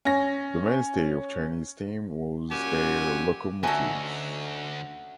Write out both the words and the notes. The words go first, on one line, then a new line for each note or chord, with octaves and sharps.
The mainstay of Chinese steam was their locomotives.
C#4 A#6
F#2 A#2 G4 F#5 G#5
D2 A3 C#4 D#4 F#4 A4 G#5